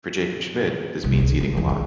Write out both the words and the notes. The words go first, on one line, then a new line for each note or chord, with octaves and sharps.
For Jacob Schmidt, this means eating a lot.
C2
C#3
C#2
E2
D3